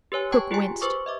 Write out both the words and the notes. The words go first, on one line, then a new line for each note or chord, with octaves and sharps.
Hook winced.
G4 B4 C#5 G#5
G5 A5 C#6 G#6
F4 G4 G#4 G#5
G4 B4 C5 C#6 D6
D#5 E5 D6